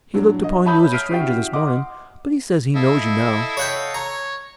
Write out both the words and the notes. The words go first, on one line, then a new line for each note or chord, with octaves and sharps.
He looked upon you as a stranger this morning, but he says he knows you now.
A2 F#3 D4
D#5
C#5 E5 A5 B5 D#6 G6
F6 G6 B6 C7 D7 D#7
C#4 E4 F#4 G4 E5 G5
D#5 F#5 C6 D6
E4 A4 D#5 F5
C#5 F#5 G5
C#5 A#5